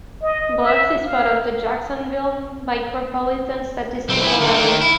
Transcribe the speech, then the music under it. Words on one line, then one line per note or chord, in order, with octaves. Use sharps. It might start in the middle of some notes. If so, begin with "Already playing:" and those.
Bluffs is part of the Jacksonville Micropolitan Statistical Area.
D#5
E5
F5
B1 C4
E4 G#4
D3 D#3
D#3 A#3
D#3
E4